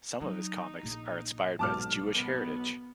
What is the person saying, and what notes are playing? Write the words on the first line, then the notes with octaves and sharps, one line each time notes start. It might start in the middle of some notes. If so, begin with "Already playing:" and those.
Some of his comics are inspired by his Jewish heritage.
F#3 D#4
A#1
B1 G#2 B2 A5 D6 F6
B3